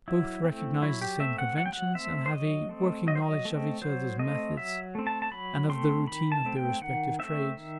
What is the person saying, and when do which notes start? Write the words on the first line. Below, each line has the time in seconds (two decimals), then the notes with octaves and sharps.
Both recognise the same conventions, and have a working knowledge of each other's methods and of the routine of their respective trades.
0.08 F#3 E4
0.45 A3 C4
0.82 F#3 E4
1.02 G4
1.20 A3 C4 E5
1.38 F#5
1.57 F#3 F#5
1.66 G5
1.73 F#5
1.95 A3 C4 E5
2.26 C5
2.32 F#3 D#5
2.69 A3 C4
3.07 F#3 D#5
3.15 C5
3.22 D#5
3.45 A3 C4
3.82 F#3 C5
4.19 A3 C4 D#5
4.57 F#3 E5
4.95 A3 C4
5.07 A5
5.22 A5
5.32 F#3 B5
5.69 A3 C4 C6
6.07 D#3 B5
6.32 A5
6.45 A3 C4
6.57 G5
6.81 D#3 F#5
7.19 A3 C4 E5
7.57 D#3